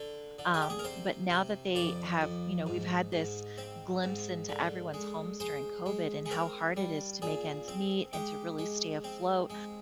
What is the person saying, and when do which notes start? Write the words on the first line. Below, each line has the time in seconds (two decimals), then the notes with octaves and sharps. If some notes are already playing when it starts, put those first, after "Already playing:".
um, but now that they have, you know we've had this glimpse into everyone's homes during COVID and how hard it is to make ends meet and to really stay afloat,
Already playing: D3
0.39 D3
0.54 G#4
0.62 G4
0.70 G#4
0.79 A#4
0.84 C3 C5
1.30 C3
1.75 F2 D5
2.21 F2
2.66 G#2
3.12 G#2
3.58 C4
4.03 G#2
4.49 D3
4.94 G#3
5.40 G#3 C5
5.86 G#3
6.26 G#4
6.31 C4 A#4
6.77 G3
7.22 A#2 G#4
7.68 C4
8.13 G#3 G4
8.58 G#3
9.04 C4
9.50 G#3